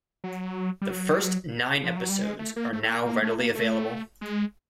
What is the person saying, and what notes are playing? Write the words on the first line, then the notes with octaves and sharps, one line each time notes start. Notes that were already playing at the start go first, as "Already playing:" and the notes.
The first nine episodes are now readily available.
F#3
G3
F#3
F3
F#3
G3
G#3
A3
A#3
A3
A3
A#3
A#3
A3
A#3
A3
G#3